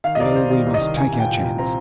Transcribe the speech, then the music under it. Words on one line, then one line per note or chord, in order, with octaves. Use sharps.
'Well, we must take our chance.
D#3 F5
D#5
C2 D5
C2 C5
D#3 D5
C2
D#5
D#3
C2 G#5
A#2
G5
F3
C2
C4 A#5